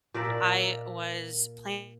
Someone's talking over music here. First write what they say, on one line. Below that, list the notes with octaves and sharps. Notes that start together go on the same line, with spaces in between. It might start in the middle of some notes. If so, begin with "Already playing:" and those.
I was planning
A#2 A#4 D5 E5